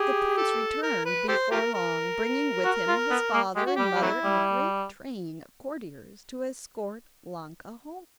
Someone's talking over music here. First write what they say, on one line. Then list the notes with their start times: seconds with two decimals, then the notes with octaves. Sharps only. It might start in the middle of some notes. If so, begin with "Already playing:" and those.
The prince returned before long, bringing with him his father and mother and a great train of courtiers to escort Ilonka home.
Already playing: G4 G#4
0.37 A4
0.83 A#4
1.05 B4
1.28 G4 A4 C5
1.51 F4 G4 A#4
1.74 A#4
2.64 F#4
2.88 F4
3.11 B3
3.34 A#3
3.56 G#3 G4
3.66 F#4
3.76 G3 G4
3.96 G3
4.02 F#3 A3 C4 E4
4.24 G3